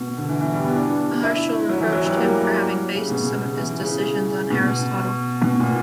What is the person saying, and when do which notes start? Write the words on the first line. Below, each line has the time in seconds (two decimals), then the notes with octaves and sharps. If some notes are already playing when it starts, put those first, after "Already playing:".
Maharshal reproached him for having based some of his decisions on Aristotle.
Already playing: B2
0.17 D3
0.29 E3
0.41 E3
0.52 G3
0.64 B3
0.76 D4
1.23 E4
1.69 F#3
1.81 E3
1.93 F#3
2.05 G3
2.16 A#3
2.40 G3
2.94 C#3
3.10 B2
3.33 C#3
3.56 E3
3.80 C#3
4.50 B2
5.44 B2
5.60 A#2